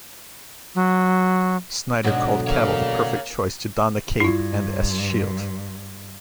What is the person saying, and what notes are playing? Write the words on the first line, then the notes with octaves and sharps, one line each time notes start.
Snyder called Cavill the perfect choice to don the cape and S shield.
F#3
G#2 B2 D3 F#3 F#4
A#3 C#5 F5
G2 E4 F4